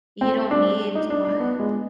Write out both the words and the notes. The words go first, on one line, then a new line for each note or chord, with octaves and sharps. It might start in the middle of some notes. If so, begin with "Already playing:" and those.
you don't need what?
C4
D4
D#4
D4
D4
B3
G#3